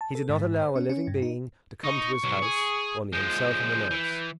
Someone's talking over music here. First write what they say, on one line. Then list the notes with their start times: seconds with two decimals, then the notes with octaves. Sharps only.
He did not allow a living being to come to his house, only himself and the nurse.
0.01 A5
0.15 A4
0.29 G#2
0.62 C5
0.76 C#4
0.89 C#4
1.07 G2
1.22 D#4
1.84 D#4 C#6
2.24 B1 F#3
2.42 G#4
3.13 F3 G#3 G6
3.91 E3